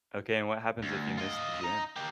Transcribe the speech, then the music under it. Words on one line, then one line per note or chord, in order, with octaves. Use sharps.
Okay, and what happens if you miss the gym?
D2
F4 D#5
D#5 A#5
A#3 G4